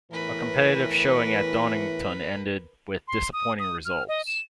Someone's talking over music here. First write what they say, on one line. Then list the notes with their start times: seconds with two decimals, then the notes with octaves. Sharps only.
A competitive showing at Donington ended with disappointing results.
0.12 E2 A2 E3 A#4 B4
3.08 C6
3.33 D#6
3.59 D#6
3.85 F6
4.08 D#5
4.27 E7